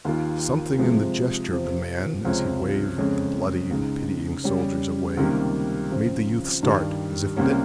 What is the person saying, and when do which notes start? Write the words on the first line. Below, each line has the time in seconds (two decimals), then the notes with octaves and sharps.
Something in the gesture of the man as he waved the bloody and pitying soldiers away made the youth start as if bitten.
0.05 D#2 D#3 A#3 F4
0.79 C3 F3 G#3
1.51 C3 F3 C4
2.25 C#2 C3 F3 G#3 C#4
2.98 F2 C#3 G#3 C#4
3.70 C#2 C#3 G#3 D#4
4.44 C#3 G3 C#4
5.17 C#2 C3 D#3 G3 A#3
5.91 C#3 F3 C4 F4
6.63 G2 D#3 G3
7.37 C#2 C3 G3 A#3 C#4